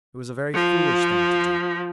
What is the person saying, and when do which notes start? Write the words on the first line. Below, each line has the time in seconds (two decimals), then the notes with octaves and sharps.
It was a very foolish thing to do.
0.54 F3